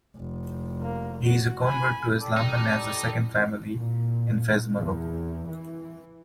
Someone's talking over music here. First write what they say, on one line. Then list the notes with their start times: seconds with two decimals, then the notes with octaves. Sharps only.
He is a convert to Islam and has a second family in Fez, Morocco.
0.16 F1
0.82 A#3
1.24 F#4
1.62 G#5 B5
2.19 G3 A4 D5
2.37 D#4
3.77 A#2
4.78 E2
5.50 E3